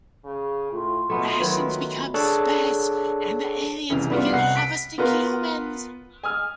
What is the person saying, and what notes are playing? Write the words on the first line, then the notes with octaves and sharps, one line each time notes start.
Rations become sparse and the aliens begin harvesting humans.
C#3
A2 F4
B2 A3 B3
D#3 F#3 B4 G5
D4 G#4 A4 C#5 A5 F#6
F1 C2 C#3 E3 F7
E3 G3 B3 C#4 D4 F4
C2 F#5 C7
B6 D7
B3 F4 A#4 B4
G#5 D#6 F6